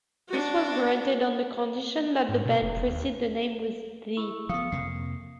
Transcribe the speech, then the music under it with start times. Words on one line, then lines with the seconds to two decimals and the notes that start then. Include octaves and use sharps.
This was granted on the condition that the band precede the name with "The".
0.29 D4 F#4
2.29 G#2
2.45 B2
2.62 F1
2.75 E1
2.87 D#2
4.17 E4 C#6 E6
4.49 F3 B3 F5 D#6 C#7
4.72 F2 C3 A#3 C7